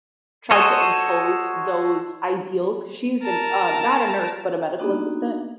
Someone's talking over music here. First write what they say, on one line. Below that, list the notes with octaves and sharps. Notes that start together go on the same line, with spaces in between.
tried to impose those ideals, 'cause she was a n uh, not a nurse, but a medical assistant,
F#4 A4 C5 C#5 D#5
A#4 A5
A#3 B3 D4 D#4 F#4